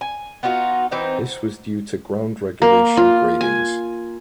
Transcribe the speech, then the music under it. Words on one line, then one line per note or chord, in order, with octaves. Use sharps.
This was due to ground regulation gradings.
G#5
B3 D#4 F4 F#4
E3 C4 D#4 C5
A#3
F4
G#5